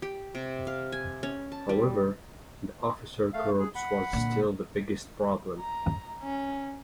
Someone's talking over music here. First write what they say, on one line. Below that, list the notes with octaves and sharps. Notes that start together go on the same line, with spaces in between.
However, the officer corps was still the biggest problem.
G4
C3
F5
G#5
C#4
A5
G3
A3 F5
G#4
F#5 B5
A#2 D3
A#5
C#4